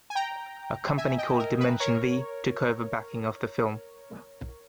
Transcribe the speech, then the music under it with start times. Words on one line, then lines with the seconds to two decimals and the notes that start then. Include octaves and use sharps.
A company called Dimension V took over backing of the film.
0.10 G#5
0.15 G5 A#5
0.98 E5 G#5
1.18 D#5 G5
1.39 A#4
1.60 B4
1.80 A#4 C#5